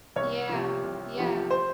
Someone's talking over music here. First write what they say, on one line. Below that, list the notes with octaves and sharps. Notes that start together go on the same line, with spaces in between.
Yeah. Yeah.
C2 C#5
C3 F3
C2
C3 F3
C5